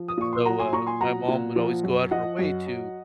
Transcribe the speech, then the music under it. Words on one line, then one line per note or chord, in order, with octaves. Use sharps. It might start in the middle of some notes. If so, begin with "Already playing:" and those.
And so, uh, my mom would always go out of her way to
Already playing: F3
D#6
A#2 C#6
C6
F#3 F#5 A#5
G#5 C6
A#2 A#5 C#6
G#5 C6
F#3 F#5 A#5
A#2
F3
F#2
F3 D#5 F#5
F#2
F#3